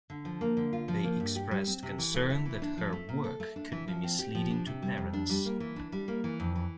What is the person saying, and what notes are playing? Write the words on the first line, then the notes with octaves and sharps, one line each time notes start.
They expressed concern that her work could be misleading to parents.
D3
F3
A#3
D3
F4
F3
A#3
G2
G4
G3
C4
C3
E3
A3
E4
E3
D4
F3
A3
A#2
A4
A3
D4
E3
F3
C4
G4
F3
D4
C3
G3
F2
D4
G3
A#3
E3
D4
G3
A#3
E3
F2
E3